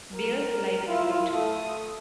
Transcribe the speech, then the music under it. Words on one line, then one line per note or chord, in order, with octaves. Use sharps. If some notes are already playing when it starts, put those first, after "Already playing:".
Bears like this fruit.
A#4
E4 F4
A3 D#6